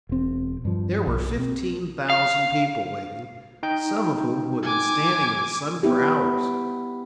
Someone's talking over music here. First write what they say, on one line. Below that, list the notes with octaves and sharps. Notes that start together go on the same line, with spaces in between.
There were fifteen thousand people waiting, some of whom had been standing in the sun for hours.
E1 C4
G2 F3
B1
C4
F5
D#4 G5 G6
G#5 D6
B3 E4 G4